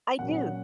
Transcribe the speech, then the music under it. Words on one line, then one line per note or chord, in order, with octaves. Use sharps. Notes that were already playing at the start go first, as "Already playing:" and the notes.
I do.
A#2 F#3 A#3 C#4 F#5